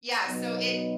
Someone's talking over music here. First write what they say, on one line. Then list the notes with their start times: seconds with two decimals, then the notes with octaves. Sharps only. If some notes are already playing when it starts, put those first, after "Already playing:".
yeah, so it
0.25 B2 F#3 B3 D#4